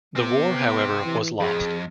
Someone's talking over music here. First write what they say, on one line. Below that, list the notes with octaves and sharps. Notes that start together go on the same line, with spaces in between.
The war, however, was lost.
B3 C4 G4
E3
F2 G#4